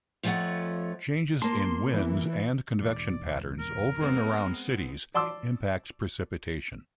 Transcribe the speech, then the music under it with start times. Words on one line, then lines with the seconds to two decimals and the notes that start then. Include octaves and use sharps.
Changes in winds and convection patterns over and around cities impacts precipitation.
0.23 F2 F3 A3 A4 C#5 F#5
1.42 A#3 A5 C6
1.93 E3
2.81 E1 G#2 D5
3.60 A#4
4.00 G#3 B3 C4
5.14 D5 A5 C6 D6 E6